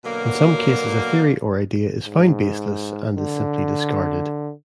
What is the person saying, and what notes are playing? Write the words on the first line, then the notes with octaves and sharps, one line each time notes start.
In some cases a theory or idea is found baseless and is simply discarded.
B2 D3 F#3 A#3
G#2
D3